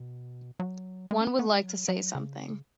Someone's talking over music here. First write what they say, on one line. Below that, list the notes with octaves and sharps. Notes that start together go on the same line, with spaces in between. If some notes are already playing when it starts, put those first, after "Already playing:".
One would like to say something.
Already playing: B2
F#3
G#3
C#4
B3
B3
G#3
F#3
F#3
C#3